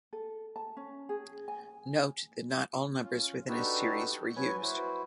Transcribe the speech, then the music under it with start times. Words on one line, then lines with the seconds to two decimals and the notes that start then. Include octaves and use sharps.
Note that not all numbers within a series were used.
0.13 A4
0.56 A5
0.77 C#4
1.09 G#4
1.48 G#5
3.04 C#4 F4
3.48 D4 D#4 F#4 G4 A4 B4
4.36 F#3 B4 C#5 G#5
4.62 E4 F#4 B4 C5